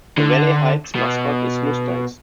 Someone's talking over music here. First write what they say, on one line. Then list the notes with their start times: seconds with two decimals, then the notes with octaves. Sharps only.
The Valley Heights mascot is Mustangs.
0.18 D3
0.95 B2